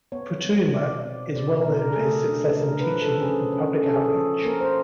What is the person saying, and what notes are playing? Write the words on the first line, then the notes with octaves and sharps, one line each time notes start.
Futuyma is well known for his success in teaching and public outreach.
B3 C#5
B3
B2 D5
C4
B2 D5
A#4
B2
A#4
A4
G#4
A3 A4
D4
D4 A#4
B4
F3
A4
C#4 G#4
C#4
C#4 A4
G#4
A4
F3
A#3 A#4
C5